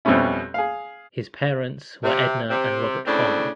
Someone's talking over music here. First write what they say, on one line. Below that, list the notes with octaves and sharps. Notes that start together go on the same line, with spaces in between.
His parents were Edna and Robert Fong.
F2 B2 G3 C4 C#4 E4
G#4 F5
C3
C3 C4
A2 C#3 C4 D4